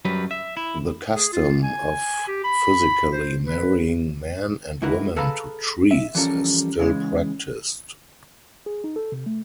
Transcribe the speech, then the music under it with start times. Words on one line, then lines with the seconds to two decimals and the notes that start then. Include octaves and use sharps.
The custom of physically marrying men and women to trees is still practiced.
0.05 F#2 F#3 G3 B4
0.31 E5
0.57 E4
1.15 G#4
1.32 F4
1.63 G#5
2.27 G4
2.44 B5
3.12 C5
3.45 B4
4.82 G#2 E4 F#4 A#4 B4
5.16 G#4 A4 B4 F5 A#5 B5
5.91 E5
6.15 E3 F3 G3 C#4 A4 A#4
6.79 C#3 E3 G#3
8.66 G#4
8.84 D#4
8.96 A4
9.12 C3
9.26 A3